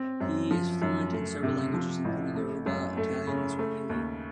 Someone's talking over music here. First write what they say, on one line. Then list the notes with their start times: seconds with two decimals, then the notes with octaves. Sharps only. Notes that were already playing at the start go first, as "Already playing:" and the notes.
He is fluent in several languages, including Yoruba, Italian, and Swahili.
Already playing: C4
0.20 F#2
0.51 F3
0.82 F#2
1.12 A3
1.43 C3
1.74 F3
2.05 A1
2.35 A3
2.66 F#2
2.97 A3
3.27 C#3
3.59 A3
3.90 D#2